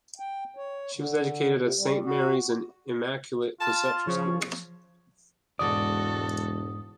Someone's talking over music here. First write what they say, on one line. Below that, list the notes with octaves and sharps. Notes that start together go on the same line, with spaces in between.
He was educated at Saint Mary's and Immaculate Conception Schools.
G5
C#5
D3
C3
G3
F#4
F4 A5
C#3 F3 C#5
E1 G#2 C3 F#4 A4 D5 D#6